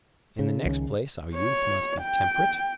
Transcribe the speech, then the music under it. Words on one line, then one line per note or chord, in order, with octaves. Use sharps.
In the next place our youth must be temperate?
C#3
C2 D#3 C#4
C#5
G5